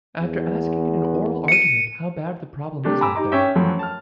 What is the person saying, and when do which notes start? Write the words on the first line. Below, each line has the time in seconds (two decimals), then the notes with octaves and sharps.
After asking in oral argument, how bad the problem is out there?
0.21 E2
1.48 C#7 D#7
2.84 C3 A3 D4 G4
3.01 G#5 A#5 B5 D6 E6
3.15 D#4 G4 D#5 A#5 D6
3.32 C#4 C#5 E5 G5
3.55 F#2 E3 F3 A3
3.79 A5 F6